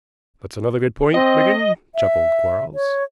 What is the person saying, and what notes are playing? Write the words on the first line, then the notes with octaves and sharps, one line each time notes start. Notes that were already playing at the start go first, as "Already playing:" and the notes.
"That's another good point, Wigan," chuckled Quarles.
C4 D#5
E5
C#5